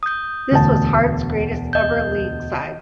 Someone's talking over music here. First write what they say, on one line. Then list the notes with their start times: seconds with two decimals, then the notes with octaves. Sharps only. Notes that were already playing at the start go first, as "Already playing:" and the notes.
This was Hearts' greatest ever league side.
0.03 D#6 G6
0.51 E1 D2 A5
1.73 D#5 G6